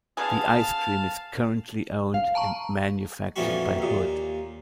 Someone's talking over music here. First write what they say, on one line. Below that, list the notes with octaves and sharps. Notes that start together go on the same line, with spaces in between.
The ice cream is currently owned and manufactured by Hood.
D3 B3 G#4 F5 A5
F5
A5 A#5 C#6
A#1 F2 E3 G3 F#4
D#2 A#2